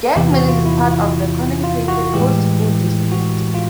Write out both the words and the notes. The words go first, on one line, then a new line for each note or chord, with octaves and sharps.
Gang Mills is part of the Corning-Painted Post School district.
E2 C3 E3 G4
F#4
F4
E4
F4
F#4
A2 E3 G#3 G4
F#4
F4